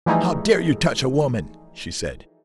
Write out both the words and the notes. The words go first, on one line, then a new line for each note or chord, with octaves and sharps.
"How dare you touch a woman?" she said.
E3 F3 G3 A3 D#4 G#4